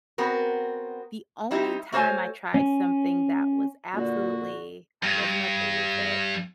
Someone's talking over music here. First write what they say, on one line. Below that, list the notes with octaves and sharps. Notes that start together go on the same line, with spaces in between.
The only time I tried something that was absolutely, I wasn't okay with it,
B3 C4 F#4 A#4
G3 C4 D#4 E4 G4
A3 F#4 A4 C5 C#5 G#5
C#4
A#2 D3 F#4
G2